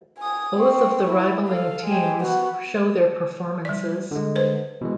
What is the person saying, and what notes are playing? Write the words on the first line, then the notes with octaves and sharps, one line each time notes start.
Both of the rivaling teams show their performances.
G#5 D#6
C4 C#6
E4
A4 F5
G#3 G4
B3 F#4
G3 D5
D3 G#3
B4 C5
B2 E3 G#3